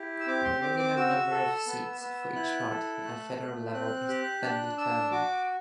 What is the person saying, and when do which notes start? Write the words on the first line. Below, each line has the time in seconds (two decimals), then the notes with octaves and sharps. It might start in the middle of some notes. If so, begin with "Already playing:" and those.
The minimum number of seats for each party at federal level is then determined.
Already playing: E4 G4
0.20 E6
0.27 C4 D6
0.45 C6
0.61 C4 D6
0.79 D6
0.96 F#4 E6
1.31 A4
1.66 B3
2.00 B3
2.35 E4 F#6
2.70 A4
3.04 A3
3.39 A3
3.73 C4 F#6
4.08 G4 F#6
4.42 D4 F#6
4.77 D4 E6
5.11 F#4 D6